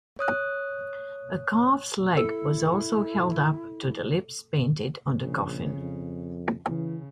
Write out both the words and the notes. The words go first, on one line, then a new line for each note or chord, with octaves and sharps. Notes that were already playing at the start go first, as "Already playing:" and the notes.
A calf's leg was also held up to the lips painted on the coffin.
C#5 D#6 F#6
E4 A4
A#1 C#3
F2
C#3 E3